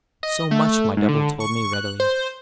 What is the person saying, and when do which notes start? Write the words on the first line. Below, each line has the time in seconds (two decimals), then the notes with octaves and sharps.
So much my double told me readily.
0.23 D#5
0.51 A3
0.97 G#2
1.09 D3
1.40 C#6
1.73 F#6
2.00 C5